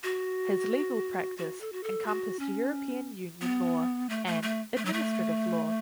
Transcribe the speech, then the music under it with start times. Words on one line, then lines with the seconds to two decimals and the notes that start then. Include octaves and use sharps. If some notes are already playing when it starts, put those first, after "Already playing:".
His legal practice encompassed European Union law and administrative law.
0.03 F#4
1.38 F#4
1.61 A4
1.72 F#4
1.83 A4
2.06 F#4
2.39 C#4
3.41 B3
4.09 A3
4.27 A3
4.43 A3
4.77 A3
4.85 F#3
4.93 A3